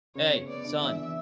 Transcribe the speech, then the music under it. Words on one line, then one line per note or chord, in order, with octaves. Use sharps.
"Hey, son,
C#3 C#5
B3
B3 D5
D4
E3 E5
E3